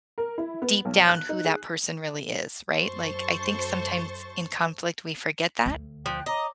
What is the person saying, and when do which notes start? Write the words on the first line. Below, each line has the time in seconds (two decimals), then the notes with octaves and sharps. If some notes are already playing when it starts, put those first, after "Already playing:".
deep down who that person really is, right? Like, I think sometimes in conflict we forget that
0.18 A#4
0.38 E4
0.62 B3
0.85 B1
1.09 F#6
1.29 D#4
1.45 G#4
2.79 F#2 A4 C5 C#6 A6
5.66 D2
6.06 F3 G5 F#6
6.26 C#5 D#5 A#5 D6